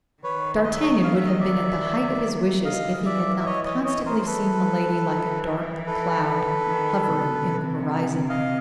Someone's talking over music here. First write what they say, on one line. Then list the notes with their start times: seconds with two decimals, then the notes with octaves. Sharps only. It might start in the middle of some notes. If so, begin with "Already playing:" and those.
D'Artagnan would have been at the height of his wishes if he had not constantly seen Milady like a dark cloud hovering in the horizon.
0.23 D#3 B4 C#5
0.64 D#5
0.73 E5
0.82 C#5 D#5
1.04 F5
1.16 E5
1.27 D#5
1.39 D5 E5
2.65 E3 D#5 F5
3.05 D5 E5
3.40 E5
3.46 C#5 D#5
3.65 C#5 D#5
3.86 C#5 D#5
4.05 A#4 C5
4.19 C5
4.26 A4 B4
5.07 E3
5.87 A4 B4
6.68 D#3
7.09 B2
7.48 C3
8.29 D#5 F5